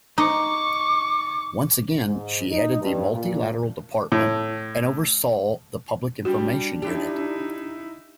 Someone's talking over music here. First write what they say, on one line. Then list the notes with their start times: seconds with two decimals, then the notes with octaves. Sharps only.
Once again, she headed the multilateral department and oversaw the Public Information Unit.
0.18 D#4 C#6 D6
2.06 G#2
2.50 D#4
2.81 G2
3.13 A#2
4.12 A2
6.25 G3 D4 F#4
6.82 D#4 E4 G4